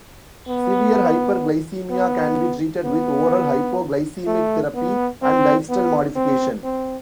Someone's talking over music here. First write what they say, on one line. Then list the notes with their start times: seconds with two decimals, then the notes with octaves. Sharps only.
Severe hyperglycemia can be treated with oral hypoglycemic therapy and lifestyle modification.
0.48 B3
1.90 B3
2.85 B3
4.27 A3
4.75 B3
5.22 C4
5.69 B3
6.16 C4
6.64 C4